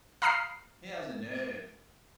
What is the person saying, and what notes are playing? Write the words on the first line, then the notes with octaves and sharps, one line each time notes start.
He has a nerve.
F5 A#5 B5 D#6 F6 C7